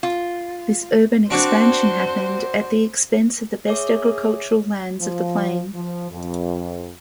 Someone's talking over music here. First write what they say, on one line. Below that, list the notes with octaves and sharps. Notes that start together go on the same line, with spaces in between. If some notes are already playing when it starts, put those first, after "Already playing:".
This urban expansion happened at the expense of the best agricultural lands of the plain.
F4
C4 D4 F#4 C5
G#4 C#5 E5 D6
F3
F3
F2